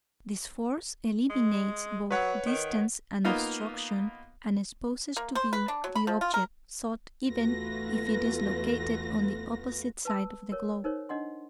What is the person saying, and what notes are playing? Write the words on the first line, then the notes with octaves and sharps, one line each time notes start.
This force eliminates both distance and obstruction and exposes to view the object sought even if it is located on the opposite side of the globe.
G#3
F#3 B4 C#5 F#5
D#3
A#3 B3 D#4 F4 F5
A#3
C5
B4
D4
F#3
B5
F3
F4
A#4
E2 A3 F4 F#4 B4 A#6
B4 A5 E6
A#4 C#5
D#4 A#4 C5 C#5
D4 D#5 F#5 C6